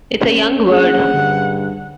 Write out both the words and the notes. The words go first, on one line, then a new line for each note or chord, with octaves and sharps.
It's a young word.
C#4
A#3 D4 G#4 F#5
G2 D3